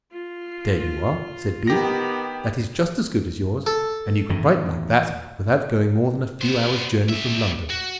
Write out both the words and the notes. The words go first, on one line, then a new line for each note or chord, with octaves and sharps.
"There you are," said B., "that is just as good as yours; and you can write like that without going more than a few hours' journey from London."
F4
D#3 B3 G4 A#6
A4
E2 A2 D#3
B3 C5
G3 E5
F#4